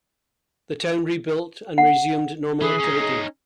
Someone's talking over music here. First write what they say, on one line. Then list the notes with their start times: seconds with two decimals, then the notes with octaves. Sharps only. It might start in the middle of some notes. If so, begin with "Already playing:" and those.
The town rebuilt and resumed normal activity.
1.78 F#5
2.62 E3 G#4
2.80 C#4 D#4